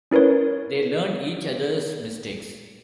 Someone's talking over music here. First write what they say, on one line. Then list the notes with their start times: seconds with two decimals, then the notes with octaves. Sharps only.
They learn each other's mistakes.
0.11 C#4 E4 A#4 B4 C#5